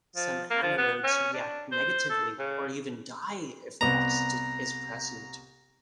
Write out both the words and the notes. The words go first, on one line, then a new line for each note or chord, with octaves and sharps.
Some anaerobes react negatively or even die if oxygen is present.
F3
A#3
F3
B3
C#4
D4
C5
A4
C#3
C2 B3 A#5